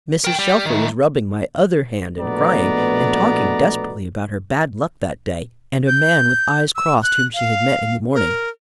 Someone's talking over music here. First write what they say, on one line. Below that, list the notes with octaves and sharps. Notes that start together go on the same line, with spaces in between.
Mrs. Shelfer was rubbing my other hand, and crying and talking desperately about her bad luck that day, and a man with eyes crossed whom she had met in the morning.
A#4 G5
G3
D#3 A3
A#1 B2 A3 B3 D5 A#5
G6
E6
F#6
F5
A#4